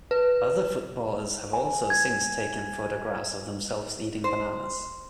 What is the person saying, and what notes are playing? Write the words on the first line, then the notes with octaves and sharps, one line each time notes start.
Other footballers have also since taken photographs of themselves eating bananas.
B4
G#5
G#6
C5